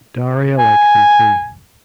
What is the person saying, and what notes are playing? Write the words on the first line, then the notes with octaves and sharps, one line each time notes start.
Daria likes him too.
G#5